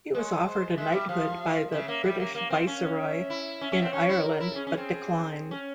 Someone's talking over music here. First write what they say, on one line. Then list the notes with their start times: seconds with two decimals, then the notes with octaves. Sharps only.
He was offered a knighthood by the British Viceroy in Ireland, but declined.
0.14 G#3 C#5
0.46 C5
0.77 G#3 E5
0.93 G3
1.09 F3 F5
1.41 F5
1.72 C#3 E5
1.88 A#3
2.04 G3
2.20 A#3
2.35 A#3 F5
2.50 C4
2.67 C#4
2.98 E5
3.30 E4
3.61 C#4 E5
3.72 C#4
3.82 C4
3.93 C#4 C#5
4.09 E4
4.25 A#4
4.40 E4
4.56 C#4 G#4
4.67 C#4
4.77 C4
5.51 C#4